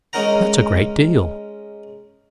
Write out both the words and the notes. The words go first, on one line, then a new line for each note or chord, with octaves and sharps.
"That's a great deal."
G#3 C#4 D#4 A#4 F#5 A#5